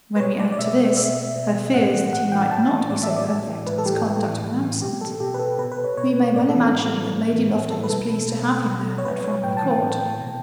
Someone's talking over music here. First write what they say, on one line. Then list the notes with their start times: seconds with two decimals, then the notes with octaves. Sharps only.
When we add, to this, her fears that he might not be so perfect in his conduct when absent, we may well imagine that Lady Lufton was pleased to have him there at Framley Court.
0.16 B4
0.20 B2 C#5
0.39 D5
0.52 D5
0.59 B2 E5
0.97 B2 E5
1.36 B2
1.74 A2 F#5
1.93 E3
2.12 A2 F#5
2.31 E3 G5
2.51 A2 A5
2.70 E3
2.90 A2 D5
3.03 E5
3.09 E3
3.16 D5
3.28 A2
3.47 E3
3.66 A2 B4
3.78 A4
3.85 E3 G4
4.05 A2
4.24 E3
4.43 A2
4.63 E3
4.82 B2 G4
5.01 A4
5.20 B2 G4
5.34 B4
5.39 A4
5.59 B2 B4
5.72 B4
5.84 C#5
5.97 B2 C#5
6.36 A2 D5
6.49 A4
6.55 E3
6.74 A2
6.93 E3
7.13 A2
7.32 E3
7.51 A2
7.70 E3 A4
7.84 B4
7.90 B2 A4
8.28 B2
8.67 B2
8.98 C#5
9.05 B2 B4
9.24 C#5
9.43 A2 G5
9.57 A5
9.63 E3
9.71 G5
9.82 A2
10.01 E3
10.21 B2